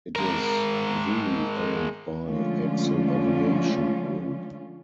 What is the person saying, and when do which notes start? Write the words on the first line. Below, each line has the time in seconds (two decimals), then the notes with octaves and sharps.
It is wholly owned by ExelAviation Group.
0.16 G#3 A#4
2.27 D3 F3 G#3 A3 C#4 F4